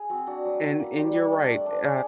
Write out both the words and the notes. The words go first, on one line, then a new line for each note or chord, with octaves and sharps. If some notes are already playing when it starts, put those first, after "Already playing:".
and and you're right, eh, uh,
Already playing: G#4
C4 F#4
D4 F#4
F#3
F#3
A#3 B4
G3 C5
G3 C#5
D4 D5
A3 D5
D4 C5
G#3 C#5